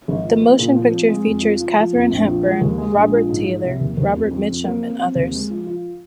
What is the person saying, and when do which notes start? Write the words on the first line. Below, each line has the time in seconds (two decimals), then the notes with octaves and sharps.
The motion picture features Katharine Hepburn, Robert Taylor, Robert Mitchum, and others.
0.08 G#1
0.25 F3
0.41 A#3
0.59 A#2
0.76 F3
0.92 C4
1.09 G#3
1.26 F2
1.43 F3
1.61 F3
1.77 F3
1.95 F2
2.11 A#1
2.27 F3
2.44 G#3
2.61 D#2
2.78 G#3
2.95 A#1
3.13 F3
3.29 G#2
3.46 F3
3.64 C2
3.81 D#2
3.97 D#2
4.14 F2
4.31 F2
4.48 F2
4.64 A#3
4.82 C4
4.99 C4
5.15 D#2
5.32 G#3
5.50 F3
5.66 F4